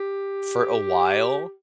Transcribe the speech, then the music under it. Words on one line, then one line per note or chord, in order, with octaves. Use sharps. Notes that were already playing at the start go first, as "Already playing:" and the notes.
for a while,
Already playing: G4